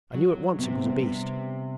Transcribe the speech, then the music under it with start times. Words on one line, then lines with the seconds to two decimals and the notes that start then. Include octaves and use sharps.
I knew at once it was a beast.
0.14 F#3
0.59 C3 B3
0.72 C4
0.84 G3 B3
1.03 C3